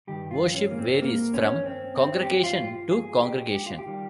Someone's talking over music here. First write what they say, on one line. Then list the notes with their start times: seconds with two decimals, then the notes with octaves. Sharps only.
Worship varies from congregation to congregation.
0.07 G2 D#3 G3 G4
0.31 F4
0.54 C#4
0.71 A#3
0.79 C4
1.02 A#3
1.34 C#4
1.66 C4
1.97 C4
2.21 G4
2.44 F4
2.91 G#4
3.23 G4
3.55 G4
3.66 F4
3.79 G4
3.86 D#3 G3